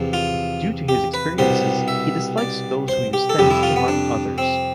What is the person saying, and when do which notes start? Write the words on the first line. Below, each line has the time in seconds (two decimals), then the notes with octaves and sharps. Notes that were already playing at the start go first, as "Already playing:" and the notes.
Due to his experiences, he dislikes those who use tennis to harm others.
Already playing: E2 C3 F3
0.13 F4
0.89 G4
1.14 B4
1.38 C2 B2 G3 C5
1.88 E5
2.38 D5
2.88 C5
3.13 G4
3.29 A4
3.39 F2 C3 G3 G4
3.51 E4
3.63 F4
3.76 B3
3.88 D4
4.38 C4